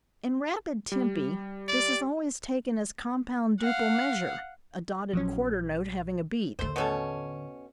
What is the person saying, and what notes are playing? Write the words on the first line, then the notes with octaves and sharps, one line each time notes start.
In rapid tempi this is always taken as compound duple measure, a dotted quarter note having a beat.
G3
D5
F5 F#5
A#1 F3 F#3 C#4
D#2 A2 D3 A3 C5
B2 C#4 A4